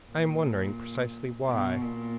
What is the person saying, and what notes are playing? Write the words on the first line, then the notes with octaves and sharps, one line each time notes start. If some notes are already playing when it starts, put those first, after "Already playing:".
"I am wondering precisely why."
A#2
B2
A#2